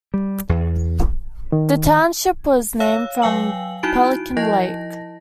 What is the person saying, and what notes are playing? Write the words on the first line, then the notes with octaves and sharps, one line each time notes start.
This township was named from Pelican Lake.
G3
E2
D#3
C#5 F5 E6
F#3 F5 G5 G#5 E6 F#7
D#4 E4 F#4 D7
F3 E4 D#5 A5 A#6